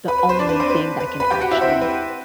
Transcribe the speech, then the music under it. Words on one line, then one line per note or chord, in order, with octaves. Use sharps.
the only thing that can actually
B4 B5
B4 B5
C5 C6
D4 D5
B4
C4 C5
B4
B4
B4 B5
G4 G5
F#4 F#5
E4 E5
C4 C5
B4